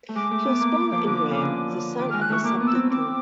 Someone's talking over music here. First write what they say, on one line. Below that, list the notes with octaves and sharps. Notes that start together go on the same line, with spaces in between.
He was born in Rome, the son of a subdeacon.
A3
G#3 D6
A3
B3
A#3
F3
D3
C#3
D3
D#3 D6
G#3 F6
F#6
A3 C#6
A#3 D6
B3
E6
C4
C4 D6